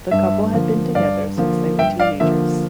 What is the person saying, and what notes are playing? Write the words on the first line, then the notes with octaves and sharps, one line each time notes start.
The couple had been together since they were teenagers.
G2 E5
D3 F3 A#3
G2 D5 F5
D3 F3 A#3
G2 E5 G5
D5 F5
D3 F3 A#3 E5